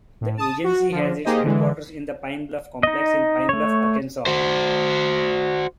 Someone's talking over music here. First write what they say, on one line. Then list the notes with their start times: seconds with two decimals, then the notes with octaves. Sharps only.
The agency has its headquarters in the Pine Bluff Complex in Pine Bluff, Arkansas.
0.21 A2
0.37 A5 D#6
0.64 F#4
0.92 D3 F3
1.25 A#3 D#4 G4 G#4 C5 D#5
1.44 D3 E3 G#3
2.83 D#4 D#5
3.49 A3 C#5
4.26 F#4 C5